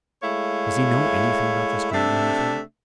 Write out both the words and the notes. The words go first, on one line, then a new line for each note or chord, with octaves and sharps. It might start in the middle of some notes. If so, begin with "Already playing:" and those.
"Does he know anything about this Grantline affair?"
G#3 A3 E4 C#5 F5
C3 A3 D4 E5